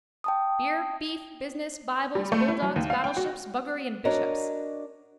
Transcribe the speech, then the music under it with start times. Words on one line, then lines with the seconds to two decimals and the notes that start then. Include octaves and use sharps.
Beer, beef, business, bibles, bulldogs battleships, buggery and bishops.
0.24 G5 A5 D#6
2.15 G3
2.32 A3
2.48 E4
2.62 F#3
2.76 D#2
2.90 F5
3.04 G5
3.17 F#4
4.05 D4 F#4 A#4 C#5 D#5